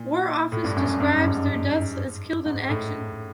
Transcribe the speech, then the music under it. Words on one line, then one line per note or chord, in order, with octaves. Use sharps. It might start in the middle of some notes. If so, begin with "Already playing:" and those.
The War Office describes their deaths as Killed in Action.
Already playing: A#2
A2
G2
F#2
G2
F#2
G2
G#2
G2
G#2
G#2
A2